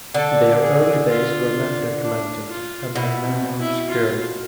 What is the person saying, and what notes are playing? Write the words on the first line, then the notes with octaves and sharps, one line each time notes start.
Their early days were not documented and are now obscure.
D3 A4
G#4
F4
D4
F4
B2 E4
C4
E4
F4